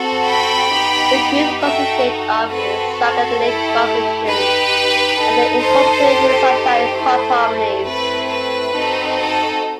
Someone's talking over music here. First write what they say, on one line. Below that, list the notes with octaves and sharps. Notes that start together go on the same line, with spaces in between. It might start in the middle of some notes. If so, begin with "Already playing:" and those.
The group consisted of psychedelic rock musicians, and they incorporated sunshine pop harmonies.
Already playing: C4 F#4 A4
G5 B5
B3 D#4 G4
D#4 F#4 A4 E5 G5
C4 F#4 A4 B4
A4
A3 E4 G4
D#4 G4 B4
D#4 A4
A4 C5
D#4 G4
A4 C5
A3 E4 A4
A3 C4 E4 B4
B4
C4 D#4 F#4 A4
A4